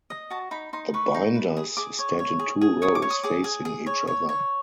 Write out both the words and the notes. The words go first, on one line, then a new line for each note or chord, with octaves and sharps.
The binders stand in two rows facing each other.
D#5
F#4 A5
D#4 B5
D#4 C6
B4 C#6
D#4
B4
G#4 D#6
G#4 D6
C#5
C#5
G#4
G#4
C#5 D#6
D6
C#5
D#6
G#4 D6
G#4
G#4
C#5
C#5
C#5